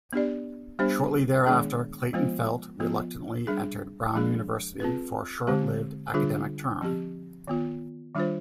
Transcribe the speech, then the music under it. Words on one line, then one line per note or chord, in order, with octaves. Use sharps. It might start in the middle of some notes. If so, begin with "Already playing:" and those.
Shortly thereafter, Clayton-Felt reluctantly entered Brown University for a short-lived academic term.
B3 D4 G4 D5
G3 B3 D4 G4 C5
D#3 G#3 B3 D4 G#4
F3 G#3 B3 F4 C5
F3 B3 F4
G3 D4 G#4
F3 G#3 D4 G#4
C4 F4 G#4 B4
D3 G#3 C4 G4
D3 G3 D4 F4 G#4
F3 C4 G4
D#3 B3 F4
D#3 G3 D4 F4 C5